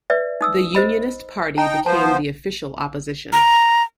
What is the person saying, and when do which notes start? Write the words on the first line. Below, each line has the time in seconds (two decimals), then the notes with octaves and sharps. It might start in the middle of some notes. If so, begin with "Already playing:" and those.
The Unionist Party became the official opposition.
0.10 B4 D5 E5
0.41 D#4 D#6 E6
0.75 C5 D#5 B5
1.58 D#4 G5 A5 A#5
1.86 F3 B3 C5 A5
3.33 A#5